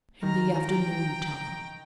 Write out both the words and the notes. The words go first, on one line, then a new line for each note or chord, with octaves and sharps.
'In the afternoon, tell them.
D#3 A#5 F6
G5 A#5